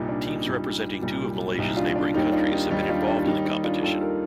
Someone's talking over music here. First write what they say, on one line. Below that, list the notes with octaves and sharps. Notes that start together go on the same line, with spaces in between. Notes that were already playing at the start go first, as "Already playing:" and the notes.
Teams representing two of Malaysia's neighbouring countries have been involved in the competition.
Already playing: C2 A#2 G3 D#4
D4
D#4
C2 A#2 G3
C2 A#2 G3
C2 A#2 G3 D#4
D4 F4
D4
D#2 D#3 G3 D#4
D4 F4
D#4 G4
D#2 D#3 G3 D#4 G4
D4 F4
D4
D#2 D#3 G3 D#4
D#4
D4 F4
D#2 D#3 G3 F4 A4
G4 A#4